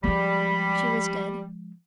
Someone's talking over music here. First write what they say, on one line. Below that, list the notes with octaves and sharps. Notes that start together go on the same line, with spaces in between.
She was dead.
F3 G3 G#3 B5